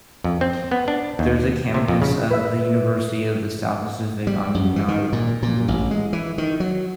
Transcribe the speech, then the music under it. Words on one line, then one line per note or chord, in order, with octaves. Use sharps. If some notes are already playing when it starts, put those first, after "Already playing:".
There is a campus of the University of the South Pacific on Nauru.
F2
C4
B3
D4
D#2
C3
F2
C#3
B4 E5
G3
F#2
E3
D#3
A#2
A#2
A1
G#3
E3
D#3
F#3